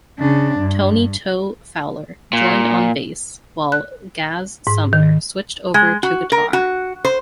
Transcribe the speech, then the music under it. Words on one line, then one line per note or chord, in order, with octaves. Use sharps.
Tony "Toe" Fowler joined on bass, while Gaz Sumner switched over to guitar.
C#3 D4
G2
A#2
F#6
G#2
D#3
G#3
F#4
A#4
F#4
C5